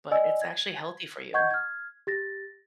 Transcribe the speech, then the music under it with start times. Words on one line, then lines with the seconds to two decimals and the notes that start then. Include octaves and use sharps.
but it's actually healthy for you.
0.11 D5 D#5 G#5 E6
0.42 G#6
1.34 D#5 F#5 C#6 G6 G#6
1.51 F6 G#6
2.07 G4 A6 A#6